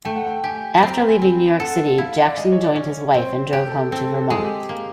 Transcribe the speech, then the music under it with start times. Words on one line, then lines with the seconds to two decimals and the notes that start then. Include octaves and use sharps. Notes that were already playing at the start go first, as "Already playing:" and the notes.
After leaving New York City Jackson joined his wife and drove home to Vermont.
0.05 A3 G5
0.16 F#5
0.27 G5
0.44 G4 G#5
0.82 C4 B5
0.91 A#5
0.99 B5
1.09 G#5
1.22 C4
1.59 A4 F#5
1.98 E4 F5
2.26 D5
2.37 G#3 D#5
2.52 C#5
2.63 D5
2.76 C#4
2.89 C#5
3.14 C4 C5
3.53 G4
3.67 A4
3.91 C4 A4
4.18 A4
4.30 G#3 G#4
4.43 G4
4.69 A#3